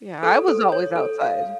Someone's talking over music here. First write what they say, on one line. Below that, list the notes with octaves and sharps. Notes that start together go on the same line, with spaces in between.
Yeah, I was always outside.
A4
A4
C#5
A4
F5